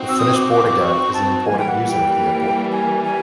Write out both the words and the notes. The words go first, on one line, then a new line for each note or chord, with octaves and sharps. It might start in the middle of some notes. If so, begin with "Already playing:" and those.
The Finnish Border Guard is an important user of the Airport.
Already playing: C4 D#4 F#4
E6
D#6
D6
D6
D6
C#6
A5
E3 G3 A#3 G#5
G5
F#5
G5
G#5
G#5